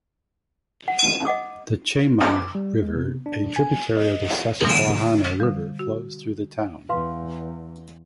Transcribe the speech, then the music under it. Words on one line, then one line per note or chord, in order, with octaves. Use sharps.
The Chemung River, a tributary of the Susquehanna River, flows through the town.
F#5
D#5 F#5 D6 D#6
D6
G3
G#3
C3
D4
G#5
D#5
B2 D3 E3 G3 A#3
D3 G3
F#4
E2 B4 F5 C6